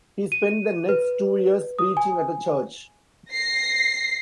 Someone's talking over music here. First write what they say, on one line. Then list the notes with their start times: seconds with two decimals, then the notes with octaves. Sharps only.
He spent the next two years preaching at a church.
0.32 D#7
0.89 B4
1.79 D#6
1.97 G#5
3.31 A#6 C7